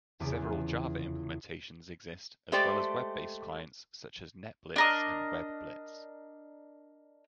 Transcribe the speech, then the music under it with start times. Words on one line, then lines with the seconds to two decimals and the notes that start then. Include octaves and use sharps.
Several Java implementations exist, as well as web-based clients, such as NetBlitz and WebBlitz.
0.20 F1 E2 C#3 B3 D6 A6
2.52 G#3 A3 G4 C5 D5 G5
4.76 D4 A#4 D#5